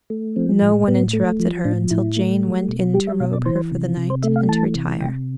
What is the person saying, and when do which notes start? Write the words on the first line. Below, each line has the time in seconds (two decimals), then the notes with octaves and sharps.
No one interrupted her until Jane went in to robe her for the night, and to retire.
0.10 A3
0.36 F3 C4
0.62 A2
0.88 A2 B3
1.13 A3
1.39 F3
1.65 A2 D4
1.91 A2 E4
2.16 A3
2.43 G3
2.68 B2
2.94 G3 G4
3.07 E5
3.20 B2 F5
3.33 D5
3.46 E3 C5
3.71 C3
3.97 C3
4.10 C5
4.23 A3 E5
4.36 F5
4.49 E3 A5
4.75 C3
5.01 C3 G5